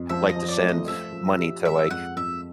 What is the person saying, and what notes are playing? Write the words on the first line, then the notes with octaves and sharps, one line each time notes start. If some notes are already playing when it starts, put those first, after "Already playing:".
liked to send money to, like,
Already playing: F2
F3 E5
D#5
F3
D5
A3
D#5
F3 E5
F3
G4
G#3 E5
F2 F#5
F2 E5